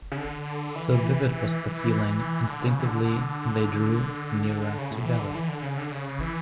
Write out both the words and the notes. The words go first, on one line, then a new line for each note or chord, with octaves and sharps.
So vivid was the feeling, instinctively they drew nearer together.
C#3
D3
E3
E3
D3
C#3
E3
D3
D3
C#3
A2
E3
D3
E3
D3
C#3
D3
C#3
E3